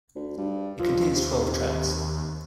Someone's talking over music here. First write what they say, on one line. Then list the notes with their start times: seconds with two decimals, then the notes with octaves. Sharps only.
It contains twelve tracks.
0.16 D2
0.37 G2
0.79 D#2 F3
1.16 C3